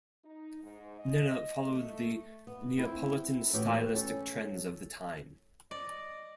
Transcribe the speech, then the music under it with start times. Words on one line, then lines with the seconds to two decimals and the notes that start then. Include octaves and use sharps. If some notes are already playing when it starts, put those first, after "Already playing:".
Nenna followed the Neapolitan stylistic trends of the time.
0.25 D#4
0.63 G#2
0.99 D#5
1.69 A3
2.47 B3
2.78 C4 E4
3.53 A2 E3 B3 F#4 G4
3.94 C#4 A4
5.71 D5 D#5